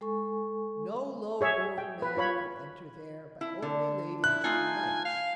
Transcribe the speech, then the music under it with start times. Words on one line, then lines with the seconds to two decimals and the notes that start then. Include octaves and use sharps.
No low-born man could enter there, but only ladies and knights.
0.01 G#3 A4 G#5 C#6
1.41 G#4 C#5 E5
1.78 G5
2.02 B4
2.17 F4 C#5 B5
3.41 E4
3.62 D3
4.24 E4 F#6
4.44 A3 D#4 F4 G#5
5.05 F5